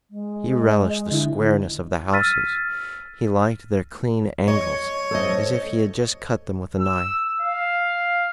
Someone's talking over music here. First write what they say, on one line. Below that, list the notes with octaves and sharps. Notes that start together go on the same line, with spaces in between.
He relished the squareness of the houses; he liked their clean angles as if he had just cut them with a knife.
G#3
D3 E4
E6 F6 A6 B6 D#7
C#5 D#5
A4 C5 D#5
E6
F5